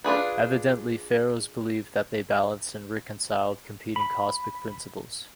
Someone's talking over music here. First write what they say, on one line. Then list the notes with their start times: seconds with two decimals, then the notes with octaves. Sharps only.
Evidently, pharaohs believed that they balanced and reconciled competing cosmic principles.
0.04 D4 F4 G#4 B4
3.96 B5